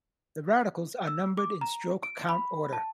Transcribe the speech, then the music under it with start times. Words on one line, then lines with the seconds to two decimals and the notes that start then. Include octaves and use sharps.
The radicals are numbered in stroke count order.
1.07 E6
1.37 D6
1.61 A#5
2.03 D7
2.29 B5
2.73 A5